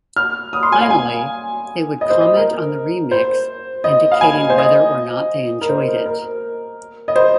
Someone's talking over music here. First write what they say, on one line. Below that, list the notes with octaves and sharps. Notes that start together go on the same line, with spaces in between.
Finally, they would comment on the remix, indicating whether or not they enjoyed it.
F6
D#6
C6
G#5
F5
G#5
D#5
C5
D#5
A#4
C5
D#5
F5
G#5
C5
D#5
A#4
C5
A#4
D#5
C5